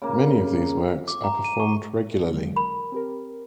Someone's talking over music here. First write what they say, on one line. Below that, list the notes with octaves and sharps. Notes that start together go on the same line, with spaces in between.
Many of these works are performed regularly.
C#3 A#3
D6
A#5
D#7
C#6
D3 F#3 G#3
A#4 B5
C4 G4 A#4